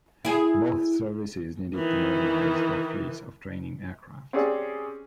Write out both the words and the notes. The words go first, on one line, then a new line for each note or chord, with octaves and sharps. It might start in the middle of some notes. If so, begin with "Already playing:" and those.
Both services needed to modernize their fleets of training aircraft.
E4 G#4
D#3 E3
C4 C#4 G4 G#4 D5